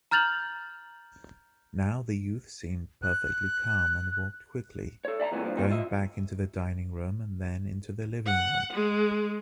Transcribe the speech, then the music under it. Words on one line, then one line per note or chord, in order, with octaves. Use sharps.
Now, the youth seemed perfectly calm and walked quickly, going back to the dining room then into the living room.
A#5 F6 G6 A6 F7 F#7
F#6
A4 C#5
D5 E5 A5 A#5
F2 A#2 E3 G#3 B3 C#4
G2 A#2 E3 F3
A#2 F3 A#3 C4 D#4
F4 D#5 E5
F#5
G#3